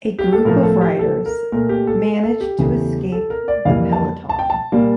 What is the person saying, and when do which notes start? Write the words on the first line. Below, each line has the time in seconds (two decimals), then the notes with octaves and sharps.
A group of riders managed to escape the peloton.
0.19 G4
0.33 A4
0.45 A2 F3 A3 A#4
0.63 A4
0.81 G4
0.99 A4
1.26 A#4
1.52 A#2 A3 A#4
1.69 G4
1.87 A4
2.23 A4
2.41 G4
2.59 E2 C#3 E3 A3
3.12 A4
3.30 A#4
3.48 D5
3.65 F2 E3 G3 A#3 F5
3.92 A5
4.29 A5
4.39 G5
4.50 A5
4.72 A#2 G3 A#3